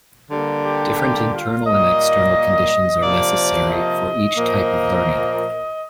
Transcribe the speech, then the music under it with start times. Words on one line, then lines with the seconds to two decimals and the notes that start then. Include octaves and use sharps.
Different internal and external conditions are necessary for each type of learning.
0.30 D3 G3 A#3
0.64 G4
0.98 G4
1.31 F4
1.66 A#2 G3 A#3 D#5
3.01 C3 F3 A#3 D5
3.69 D#5
4.37 A#2 F3 A#3